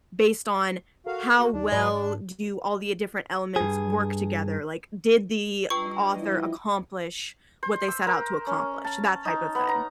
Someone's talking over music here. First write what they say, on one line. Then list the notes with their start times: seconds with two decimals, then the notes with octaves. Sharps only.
based on how well do all the, uh, different elements work together, like, did the author accomplish what they set out to accomplish? That type of thing.
1.06 F#4 A4 A#4 F5
1.39 A#3 F#4
1.53 D#2 D4 D#4 G4
1.72 G#2 F#3 G#4 B4 D5
1.92 D4
3.56 G2 G#4
5.70 G3 D4 F4 B4 D#5 G5 C#6
6.18 E3 F3 E4
7.63 C5
7.88 E6
8.07 A#4
8.47 C#4
8.84 A5
9.25 D#4
9.55 B3
9.69 A#5